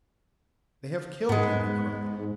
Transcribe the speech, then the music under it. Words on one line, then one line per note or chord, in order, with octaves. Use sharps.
"They have killed him!" he cried.
G#2 G#3 B3